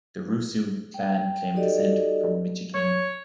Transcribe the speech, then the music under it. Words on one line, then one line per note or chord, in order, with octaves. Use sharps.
The Rusu clan claimed descent from Michikane.
G5
D#4 F#4 G4 A4 D5 D#5
C#5